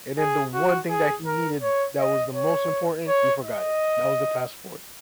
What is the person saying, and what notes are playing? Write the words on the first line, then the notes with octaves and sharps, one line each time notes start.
and then the one thing that he needed that was the most important, he forgot it. That was the passport.
G#4
F#4
G#4
A#4
C#5
D#5
C#5
C#5
D#5